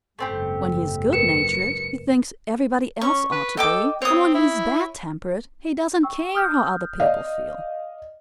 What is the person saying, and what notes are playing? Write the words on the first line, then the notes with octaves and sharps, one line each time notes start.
When he is good-natured, he thinks everybody else ought to be; and when he is bad-tempered he doesn't care how other people feel.
F#1 G#2 A3 C4 G4
A#4 B4 C#7 E7
C#4 C#6
B4
A4 D#5 G5 D6
C4 C#5 D#6
E4
G5 C#6 E6
D#6 F6 G6
D5 D#5 F5